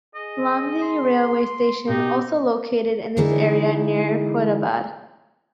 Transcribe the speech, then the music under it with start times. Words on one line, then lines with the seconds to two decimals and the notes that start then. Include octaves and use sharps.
Landhi railway station also located in this area near Quaidabad.
0.15 G#4 D#5
0.82 C6
1.89 B2 D#4 G4
3.17 D3 E3 G#3 D#4 E4